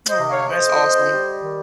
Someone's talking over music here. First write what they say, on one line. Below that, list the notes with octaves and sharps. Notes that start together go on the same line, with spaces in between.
Aw, that's awesome.
C5 D#5
C3
C#5 F5
F2 C5 D#5
F2
G3
D#3